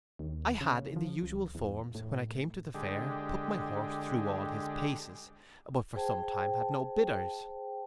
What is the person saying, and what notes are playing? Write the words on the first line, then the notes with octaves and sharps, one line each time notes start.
I had, in the usual forms, when I came to the fair, put my horse through all his paces; but for some time had no bidders.
D#2
C#3
F3
C#2
E2
A2
D3 G#3 G4
G#4 C5 G5 A5